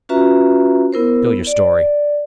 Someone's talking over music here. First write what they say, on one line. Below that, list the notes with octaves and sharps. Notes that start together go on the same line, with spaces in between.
"Spill your story."
C#4 F4 F#4 B4 E5 A#5
B3 E4 A#4 C5
D5